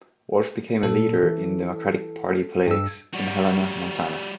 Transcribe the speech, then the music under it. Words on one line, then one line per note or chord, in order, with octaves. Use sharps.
Walsh became a leader in Democratic Party politics in Helena, Montana.
A#2 A4
E3
G2 E6
G3 F#4